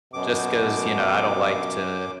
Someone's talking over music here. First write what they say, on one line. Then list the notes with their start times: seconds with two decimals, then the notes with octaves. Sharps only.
just 'cause, you know, I don't like to
0.13 F#2 B2 D6